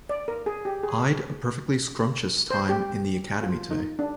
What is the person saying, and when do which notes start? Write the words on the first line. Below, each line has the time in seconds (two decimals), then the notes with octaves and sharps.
I’d a perfectly scrumptious time in the Academy today.
0.09 D5
0.28 A#4
0.46 G#4
0.65 G4
0.83 G#4
2.51 C5
2.69 G4
3.43 F4
3.71 D#4
3.99 D4